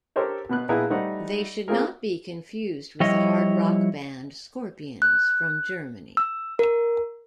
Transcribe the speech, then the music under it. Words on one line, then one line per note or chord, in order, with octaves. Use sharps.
They should not be confused with the hard rock band Scorpions from Germany.
G4 A4 A#4 C5 C#5
B2 B3 F#6
A#1 A#2 B3 E4 G#4 A#5
G3 A3 D#4 C5 F#5
A#3 C4 F4 G#4 A#4
F3 G3 E4 C#5 D#5
F#6
E6
A#4